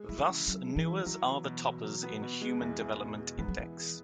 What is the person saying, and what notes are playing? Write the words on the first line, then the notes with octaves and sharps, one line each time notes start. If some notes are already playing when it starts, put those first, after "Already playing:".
Thus, Newars are the toppers in Human Development Index.
Already playing: G#3
F#3 E4
E3
C#3
C#3 F#3
G#3
E3
E4
E3 F#3
B3
B2
B2
F#3
B3
B2
G#3
E2
E2
B2
G#3
E3 B3
F#3
E3 E4
G#4